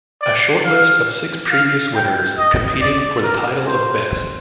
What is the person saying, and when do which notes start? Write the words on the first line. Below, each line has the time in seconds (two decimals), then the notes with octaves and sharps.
A shortlist of six previous winners competed for the title of Best.
0.22 D5
0.65 F5
1.51 F5
1.95 G5
2.38 D#5
2.81 D5
3.24 A#4
3.67 C5